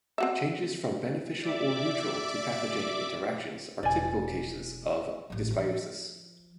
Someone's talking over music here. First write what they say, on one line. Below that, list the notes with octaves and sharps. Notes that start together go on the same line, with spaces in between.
Changes from beneficial or neutral to pathogenic interactions are typical cases of dysbiosis.
C4 F#4 E5
D5 E5 D6
E1 D5 G#5
A1 F#3
F3 F4